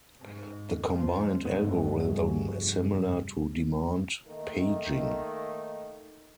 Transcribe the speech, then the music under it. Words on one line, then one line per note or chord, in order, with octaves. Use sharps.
The combined algorithm is similar to demand paging.
G#2
F3
F1 G2 A3 B3
G3 F#4 G#4
D#3 A3 A#3 D#4